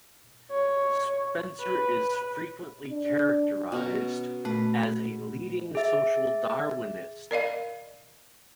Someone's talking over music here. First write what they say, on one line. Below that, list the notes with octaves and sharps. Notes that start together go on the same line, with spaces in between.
Spencer is frequently characterized as a leading Social Darwinist.
C#5
B4
D4
B2 C#4 A#5
A#2 A3 B4
G#4 E5 A6
A#4 D5 D#5 F5